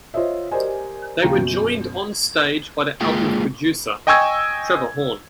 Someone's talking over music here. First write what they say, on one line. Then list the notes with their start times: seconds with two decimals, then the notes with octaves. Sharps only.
They were joined onstage by the album's producer Trevor Horn.
0.14 F4 C5 C#5 D#5 E5
0.51 G4 A#4 C5 D5 D#5 G#5
1.22 D#1 C#3 F3 F4 G5 A#5
1.37 F#2 B2
3.01 G#3 A#3 F4 G#4 G5
4.07 D#5 G5 G#5 C#6 E6 G#6